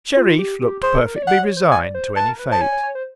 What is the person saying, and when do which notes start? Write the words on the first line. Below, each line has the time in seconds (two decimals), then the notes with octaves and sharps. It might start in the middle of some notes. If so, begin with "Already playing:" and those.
Shereef looked perfectly resigned to any fate.
0.17 F4
0.39 G4
0.61 G4
0.83 G#4 C5
0.94 A4
1.06 A#4
1.16 D5
1.23 C#5
1.27 D5 F#5
1.43 C#5
1.57 C5
1.72 D5 G#5
1.94 C5
2.17 B4 A5
2.28 A#4
2.39 B4
2.51 C5 A5
2.61 C#5 G#5
2.72 C#5
2.83 C#5
2.95 C5